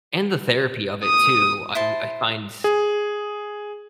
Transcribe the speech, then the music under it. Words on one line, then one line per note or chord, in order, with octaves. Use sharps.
And the therapy of it too. I I find,
D#6
E4 C5 A5
G#4